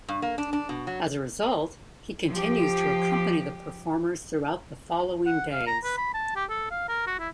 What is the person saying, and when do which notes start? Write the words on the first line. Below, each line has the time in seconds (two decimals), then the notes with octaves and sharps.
As a result, he continues to accompany the performers throughout the following days.
0.08 G2
0.22 A#3
0.38 D4
0.53 D4
0.69 B2
0.87 F#3
2.29 F3 G4
5.26 F#5
5.52 F5
5.67 A#5
5.84 B4
5.97 B5
6.14 A5
6.36 G4
6.49 A4
6.71 F5
6.88 A#4
7.07 F#4
7.19 E4